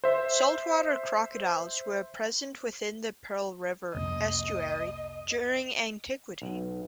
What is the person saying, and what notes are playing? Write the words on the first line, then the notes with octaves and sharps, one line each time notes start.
Saltwater crocodiles were present within the Pearl River estuary during antiquity.
C5 E5
C2 F2 A#3 D#5
B1